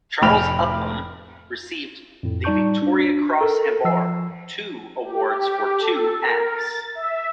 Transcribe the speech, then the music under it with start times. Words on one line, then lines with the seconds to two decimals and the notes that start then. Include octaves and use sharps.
Charles Upham received the Victoria Cross and Bar; two awards for two acts.
0.22 F1 A2 G5 B5 F6 F7
2.23 F2 A2
2.44 G3 D#4 D5 A5 C#6 G6
2.82 D4
3.41 A4 A#4
3.85 F3 E6 C7
5.04 G4
5.42 G4
5.80 A4
6.25 A#4
6.55 A6
6.95 E5